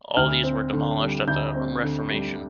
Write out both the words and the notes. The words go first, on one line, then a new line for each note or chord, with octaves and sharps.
All these were demolished at the Reformation.
D2 F6
C4
D3
G3
D2 G6
C4
D3
G3